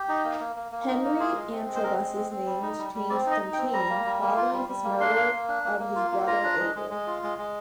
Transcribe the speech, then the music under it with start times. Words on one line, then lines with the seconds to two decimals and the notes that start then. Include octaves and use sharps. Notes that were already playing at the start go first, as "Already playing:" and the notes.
Henry Antrobus's name was changed from "Cain", following his murder of his brother Abel.
Already playing: G4
0.09 D#4
0.25 A#3
0.40 A#3
0.56 A#3
0.72 A#3
0.88 D#4
1.04 A#3
1.20 F4 G#4
1.35 G#3
1.52 C4
1.67 G#3
1.75 C5
1.83 C4 A#4
1.99 G#3
2.15 C4
2.31 C4
2.46 G3
2.62 D#4
2.78 G3
2.94 G3
3.10 C4 D5
3.26 D#4
3.31 D#5
3.42 D#4
3.53 G5
3.58 C4
3.73 G3 A#5
3.90 A#3
4.05 G3
4.22 A#3
4.37 F4
4.53 G3
4.68 G3
4.84 A#3
5.00 D4 C6
5.16 A#3
5.32 A#3
5.49 D4
5.64 A#3
5.80 A#3
5.96 F4
6.12 A#3
6.27 F4 A#5
6.43 D4
6.60 G#3
6.76 G#3
6.90 G#3
7.07 F4
7.23 G#3
7.38 G#3